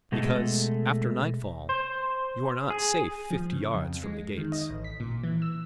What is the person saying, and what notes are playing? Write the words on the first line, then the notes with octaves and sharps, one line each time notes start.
"Because, after nightfall, you are not safe fifty yards from the gates."
B2 G#3 A3 A4
C5
G#4
F3
C#3
F2
G#3
D#3
D#5
A1
B6
A#2
E3
E6